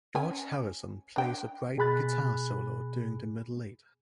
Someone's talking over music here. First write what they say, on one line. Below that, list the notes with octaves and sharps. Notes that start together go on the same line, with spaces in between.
George Harrison plays a bright guitar solo during the middle eight.
C#4 G#5
D4 G5
B2 G#4 G#5 B5 F#6 A6